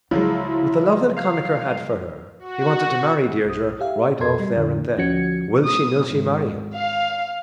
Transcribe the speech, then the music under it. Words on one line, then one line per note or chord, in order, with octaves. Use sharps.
With the love that Connachar had for her, he wanted to marry Deirdre right off there and then, will she nill she marry him.
C#2 F3 F#3 G#3 E4
F5
F#4
B1 D#6
G4 E5 F5
F2 A#2 A4 A#4 C6 G#6
G3
F2 D3
D2 F3 C#4 F#4 G#6 C#7
D#6
G#1
F5